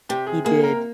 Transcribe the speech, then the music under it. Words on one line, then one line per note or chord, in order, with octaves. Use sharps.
he did
C3 G4
G#4
A#3 G#4
A#4